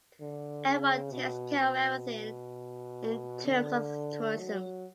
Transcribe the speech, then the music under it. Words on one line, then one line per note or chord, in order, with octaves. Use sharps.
Everyone takes care of everything in terms of tourism.
D3
C#3
B2
B2
D3
F#3